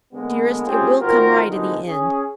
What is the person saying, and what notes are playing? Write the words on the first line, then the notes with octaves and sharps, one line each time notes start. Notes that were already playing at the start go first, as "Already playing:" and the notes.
Dearest, it will come right in the end.
D3 G#3 A#3 B3
A3 C4 C#4 F4 G4 G#4
G#1 C4 F4 F#4 A#4
A#2 D3 G3 G#3 C4 D#4
C#4 G#4